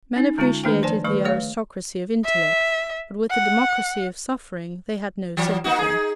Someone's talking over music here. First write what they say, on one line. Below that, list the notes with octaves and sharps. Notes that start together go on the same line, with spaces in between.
Men appreciated the aristocracy of intellect, but with the democracy of suffering they had no sympathy.
C#4 D#4
D3 G#3 C#4 F4 G#5 A#5
D#3 A3 D4 G#4 C5 G5
F3 C5 D5 G#5 A5
D#3 G3 A3 B4 C#6
A3 G#4 C#5 F5
E5
F#5
E3 F#3
A#3 D#4 F#4
D#4 G#4